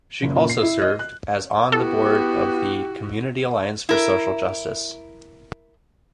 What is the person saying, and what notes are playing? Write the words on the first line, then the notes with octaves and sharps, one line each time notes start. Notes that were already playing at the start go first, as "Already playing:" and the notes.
She also served as on the board of the "Community Alliance for Social Justice".
F#1
A#2
C7
E4
D#5
F#6
B3 E4 F#4 G4 A4
E4 A#4